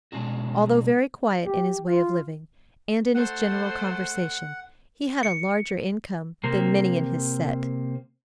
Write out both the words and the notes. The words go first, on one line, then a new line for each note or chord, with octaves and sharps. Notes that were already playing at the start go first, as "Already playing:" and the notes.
Although very quiet in his way of living, and in his general conversation, he had a larger income than many in his set.
B2 D3 G#3 C#4 D4 F#4
G4
F4
A3 C5 F#5
C#7
C3 A#3 C4